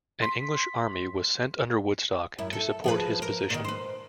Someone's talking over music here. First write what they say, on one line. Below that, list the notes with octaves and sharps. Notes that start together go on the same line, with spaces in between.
An English army was sent under Woodstock to support his position.
C6 B6
F#2 E4
A4
F3 G#4 B4
A#4
A#2 D#3
B4 C5